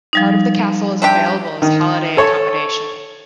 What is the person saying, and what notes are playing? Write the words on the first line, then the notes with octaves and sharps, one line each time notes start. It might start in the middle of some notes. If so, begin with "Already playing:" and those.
Part of the castle is available as holiday accommodation.
F3 G3 D#4
C3 D4 G4
D#3
A4 C#5